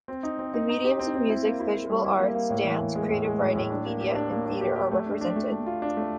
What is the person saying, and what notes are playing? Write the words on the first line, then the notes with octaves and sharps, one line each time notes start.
The mediums of music, visual arts, dance, creative writing, media and theater are represented.
C4
D#4
C4
D#4
D#4
G4
C4
C4
E4
A#3
E4
A#3
G3
E4
A#3
A#3
A2
E3
A2
G#3
A2
G#3
A2
A2
D4
A#3
G4
D4
A#3
D4
G4
G4
A3
D4
D4
A3
A3
F4
D4
A3